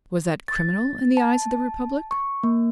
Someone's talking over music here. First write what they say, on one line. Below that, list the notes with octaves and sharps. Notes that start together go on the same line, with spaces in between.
Was that criminal in the eyes of the Republic?
A6
A5
C#6
A#3